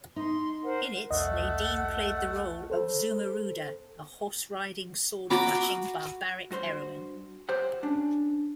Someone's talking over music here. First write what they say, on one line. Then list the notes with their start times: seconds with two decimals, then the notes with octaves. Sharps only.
In it, Nadine played the role of Zumuruda, a horse-riding, sword-flashing barbaric heroin.
0.16 D#4 C6
0.63 A#4 C5 F#5
1.11 B1 E2 A3 D#5 E5 F#5
2.70 A4 C5
5.30 F#4 A#5 B5 D6
6.51 G2 F#4 C5 C6
7.49 G4 C5 F#5
7.83 C#4 D4